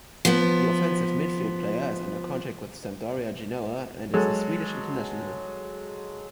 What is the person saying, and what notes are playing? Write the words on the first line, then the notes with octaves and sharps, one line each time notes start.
The offensive midfield player is under contract with Sampdoria Genoa and is a Swedish international.
F3 B3
F#3 G#3 A4